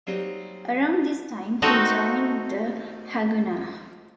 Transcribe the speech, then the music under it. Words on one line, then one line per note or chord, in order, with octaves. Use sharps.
Around this time, he joined the Haganah.
F#3 G3 A#3 C4 D#4
A3 C4 D#4 F#4 A4